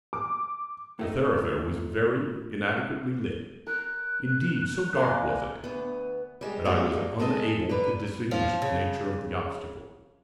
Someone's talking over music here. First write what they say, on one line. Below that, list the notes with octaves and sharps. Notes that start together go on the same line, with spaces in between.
The thoroughfare was very inadequately lit; indeed, so dark was it that I was unable to distinguish the nature of the obstacle.
D6
A2 A3 D#4 F4
A#4 F#6
A#3 D5 G#5
D2 B3
G3 G#3 G4
G#3 A#3 D4 F#4 G4 D#5
F#3 G#3 A4 A#4 D#5 G#5
D3 D4 B4 A#5
F3
C#3